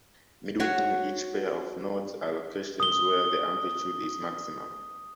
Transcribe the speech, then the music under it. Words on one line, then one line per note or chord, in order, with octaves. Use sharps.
Midway between each pair of nodes are locations where the amplitude is maximum.
F#4 C#5
D#6 G7